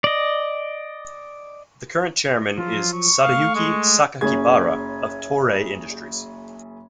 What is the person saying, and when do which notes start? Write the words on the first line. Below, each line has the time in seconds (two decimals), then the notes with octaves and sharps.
The current chairman is Sadayuki Sakakibara of Toray Industries.
0.04 D5 D#5
2.58 F3 F#3 F4
2.93 C#6
3.23 A3 F5 D#6
3.55 G#3
4.21 F#1 C#4 G#4 G#6